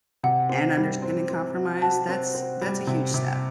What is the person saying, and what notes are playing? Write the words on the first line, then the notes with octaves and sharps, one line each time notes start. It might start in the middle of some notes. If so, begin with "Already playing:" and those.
and understanding compromise, that's that's a huge step.
C3 F#5
C4
G3
C4
C4
F#4
F#4 A5
C4
C4
G3
C3
C3